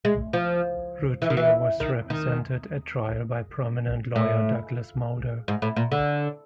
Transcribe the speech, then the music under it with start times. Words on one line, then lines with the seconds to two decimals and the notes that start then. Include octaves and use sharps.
Routier was represented at trial by prominent lawyer Douglas Mulder.
0.05 G#3
0.33 F3
1.22 E3
1.30 D#3
1.37 E3
1.80 D#3
2.10 D#3
4.16 A2
5.48 G#2
5.62 A2
5.76 A#2
5.92 D3